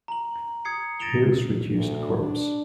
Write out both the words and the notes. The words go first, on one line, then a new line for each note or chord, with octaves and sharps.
Hill's reduced corps.
A#5 F#7
D#6 G#6 C7 C#7
A6 A#6 D7 E7 F7 G7
D2
D4